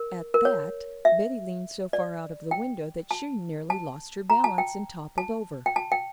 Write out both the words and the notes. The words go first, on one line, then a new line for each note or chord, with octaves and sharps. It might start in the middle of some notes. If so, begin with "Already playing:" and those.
At that, Betty leaned so far out of the window that she nearly lost her balance and toppled over.
Already playing: A#4
A#4
C#5
E5
D5
G5
A5
A5
A#5
A5
G5
A5
G5
A5
G5